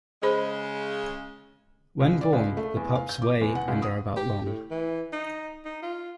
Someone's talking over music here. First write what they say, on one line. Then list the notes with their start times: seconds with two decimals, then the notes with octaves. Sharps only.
When born, the pups weigh and are about long.
0.23 C#3 G#3 G#4 C5 B5
2.00 C#2
2.21 D5
2.33 C#2
2.57 A3
2.77 E2
2.95 F5
3.09 G6
3.22 D6
3.41 E2
3.55 F#5
3.68 C#2
3.82 D#6
4.17 G4
4.46 A2
4.70 E3
5.13 D#4
5.65 D#4
5.82 F4